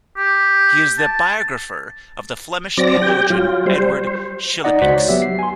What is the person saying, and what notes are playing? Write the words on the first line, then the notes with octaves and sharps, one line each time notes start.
He is the biographer of the Flemish theologian Edward Schillebeeckx.
G4
A5
F#3 C4 D5 A#6
G4 G5
F#3 F4
G3 C5
C5
D#4 D5 D#5 F#5
C#2 F#4 C5 D5 F#5 B6
C#5
F#3 B3 G4 E5
C7
G#5 C6